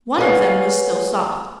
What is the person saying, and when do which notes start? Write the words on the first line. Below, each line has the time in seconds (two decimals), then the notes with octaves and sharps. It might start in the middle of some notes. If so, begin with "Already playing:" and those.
One of them was still soft.
0.18 G#4 B4 C#5 D#5 F5 F#5